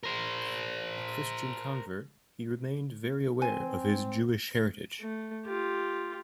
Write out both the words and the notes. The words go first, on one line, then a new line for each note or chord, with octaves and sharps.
A Christian convert, he remained very aware of his Jewish heritage.
A#4 C5
C4 G#5
A3
F4 G4